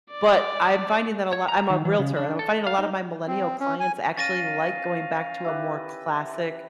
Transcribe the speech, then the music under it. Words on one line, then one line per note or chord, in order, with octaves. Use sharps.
but, I'm finding that a lot I'm a realtor and I'm finding a lot of my millennial clients actually like going back to a more classic
D5
C#5
A#5
D#3
E3
C#3
D4
A4
F5
D#4
C4
C#4
G#5
C#4 F5 A6 A#6 D#7
E4 G4 B4